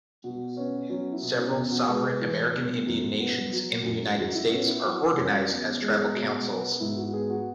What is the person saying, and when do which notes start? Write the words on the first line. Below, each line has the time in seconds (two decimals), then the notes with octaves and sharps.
Several sovereign American Indian Nations in the United States are organized as Tribal Councils.
0.24 B2 F#4
0.57 B3 C#4
0.90 F#3 C#4
1.12 E4
1.22 B2
1.34 C#4
1.55 E2 C#4
1.71 F#4
1.88 G#3 B4
2.05 B4
2.21 E3
2.54 E2
2.87 F#2
3.20 B3
3.52 F#3
3.85 F#2
4.18 F#2 F#4
4.34 E4
4.51 B3 C#4
4.67 E4
4.84 F#3 F#4
5.16 F#2 C#4
5.49 E2
5.82 G#3
6.15 B2
6.47 B3
6.80 G#2 E4
6.97 F#4
7.13 B3 G#4
7.30 F#4